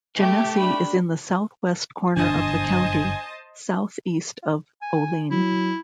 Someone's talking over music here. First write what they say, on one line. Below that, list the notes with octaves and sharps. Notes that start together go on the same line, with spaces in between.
Genesee is in the southwest corner of the county, southeast of Olean.
A3 G4
D4 B5
G1 F#2 B2 D4 C5 D#5 G#5 A5
G#5
F#3 E4